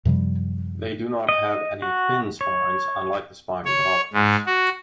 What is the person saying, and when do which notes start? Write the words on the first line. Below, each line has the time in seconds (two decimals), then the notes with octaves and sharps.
They do not have any fin spines, unlike the Spiny dogfish.
0.05 F#2 C3 F3 G3
1.29 D#5
1.82 F#4
2.41 C#5
3.65 C#5
4.13 G#2
4.46 F#4